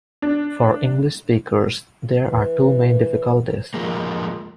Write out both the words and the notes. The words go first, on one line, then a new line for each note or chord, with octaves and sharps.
For English-speakers there are two main difficulties.
D4
E3
F3 G#3 A#3